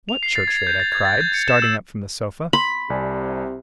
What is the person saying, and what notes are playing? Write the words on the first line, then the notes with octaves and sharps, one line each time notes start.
"What church-rate?" I cried, starting up from the sofa.
F7
C7
A6
G#6
G6
A6
G#6
A6
G6
C#7
E7
E6
B5 C6
C2 C3 D5 G#5